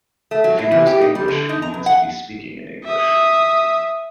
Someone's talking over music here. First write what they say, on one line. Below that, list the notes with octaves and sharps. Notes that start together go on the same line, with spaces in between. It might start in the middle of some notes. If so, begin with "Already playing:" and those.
If he knows English, he needs to be speaking in English.
A3
F#3
E4
E3
G4
D#4
G3
D3
D#4
A#5
B2
F#5
E5 D#6